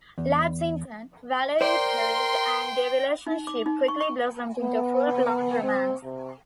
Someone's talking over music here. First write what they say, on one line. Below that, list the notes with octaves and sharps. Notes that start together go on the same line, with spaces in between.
Labs intern, Valerie Perez, and their relationship quickly blossomed into a full-blown romance.
E2
A#4 C5 D5 G5 C6
D#4
D6
D#4
C#6
C#6
B3
B3
C4
C3